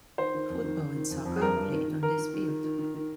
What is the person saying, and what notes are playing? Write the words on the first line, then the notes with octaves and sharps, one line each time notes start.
Football and soccer are played on this field.
D#3 C5
D#3
F2
D#3
D#3
D#3
F2
F2
G#4
G2 A#4
G2
D#3
D#3
D#3 A#4
D#3
D#3
D#3
D#3
D#3
D#3